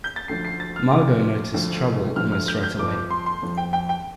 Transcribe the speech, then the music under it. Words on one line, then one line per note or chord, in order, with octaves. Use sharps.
Margo noticed trouble almost right away.
G6
A6
D2 D3 F3 C7
C7
A6
F6
D2 D3 F3 D6
D2 D3 F3
D2 D3 F3 F6
F6
G6
G6
F2 F3 D6
D6
C6
C6
F2 F3
G5
G5
G5